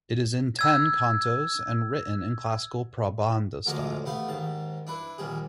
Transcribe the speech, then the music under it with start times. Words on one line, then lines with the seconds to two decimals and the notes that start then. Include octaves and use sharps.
It is in ten cantos and written in classical prabandha style.
0.59 E6 G#6
3.66 D2 D3 F3 G#3 A#5 D6
4.05 A3 B3 G4 F5
4.28 D#2 G#2 A5
4.87 D4 E4 B4
5.18 A#1 D#2 G3 G#4